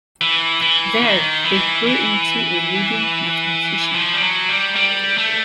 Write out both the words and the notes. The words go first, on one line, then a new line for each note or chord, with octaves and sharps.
There he grew into a leading mathematician.
E3
E3
D#3
E3
E3
F3
G3
F#3
G3
G3
A3